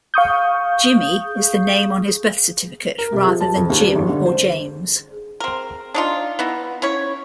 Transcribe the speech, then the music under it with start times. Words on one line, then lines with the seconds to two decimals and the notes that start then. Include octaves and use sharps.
"Jimmy" is the name on his birth certificate, rather than "Jim" or "James".
0.14 F5 C#6 D#6 G6
2.98 A#4
3.12 C3
3.26 F3
3.41 A5
3.56 F2
3.70 D#2
3.81 G3
3.95 G#1
4.09 D3
4.26 C5
5.40 C4 A#4
5.94 D4 D#4 F4
6.39 B3 D#4 E4
6.82 C#4 E4 C#5